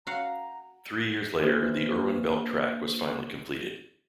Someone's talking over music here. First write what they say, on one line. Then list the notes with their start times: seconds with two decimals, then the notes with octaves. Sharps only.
Three years later, the Irwin Belk Track was finally completed.
0.07 F#4 F5 F#5 A#5
1.42 A#3 D4 G4 B4 C5 F6